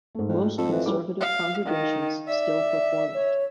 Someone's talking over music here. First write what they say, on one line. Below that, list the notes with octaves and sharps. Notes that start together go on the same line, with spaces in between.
Most Conservative congregations still perform it.
G#2 A3
F2
F2 A4
E3
C#2 G3 E4 D6
F5
D#3
D5 E5
C#5